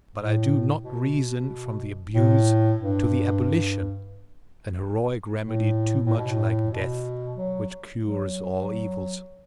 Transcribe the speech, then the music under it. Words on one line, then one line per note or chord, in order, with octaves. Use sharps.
But I do not reason from the abuse to the abolition,--an heroic remedy too much like death, which cures all evils.
A2
B2
A2
G2
A2
A2
B2
A2
B2
F#3
F#3